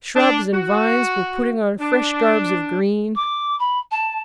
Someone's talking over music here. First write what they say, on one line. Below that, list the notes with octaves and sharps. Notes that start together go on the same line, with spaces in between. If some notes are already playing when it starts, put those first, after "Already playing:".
Shrubs and vines were putting on fresh garbs of green.
D4
F#4
D4
D6
B5
A5